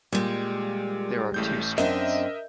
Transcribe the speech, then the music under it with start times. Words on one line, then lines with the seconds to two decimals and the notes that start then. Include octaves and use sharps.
There are two streets.
0.12 A#2 G3 G#3
1.34 A1 A2 G6
1.78 F#2 C4 D4 A#4 D#5 E5